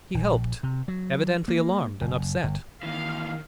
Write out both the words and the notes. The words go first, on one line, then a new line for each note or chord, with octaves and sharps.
He helped, evidently alarmed and upset.
A#1
C3
F#3
A#3
F#1
G1
D#3 E3 A#3 F5